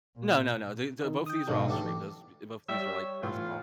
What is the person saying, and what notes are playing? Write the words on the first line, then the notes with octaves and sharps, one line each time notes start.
No, no, no, the the both these are off-stream, those e both of these were, like, personal.
A#2
D#3
G5 D#6
B1 G#2 B2 D3 D4
A1 G4 A4
G3 C#5 E5
A2 E3 F4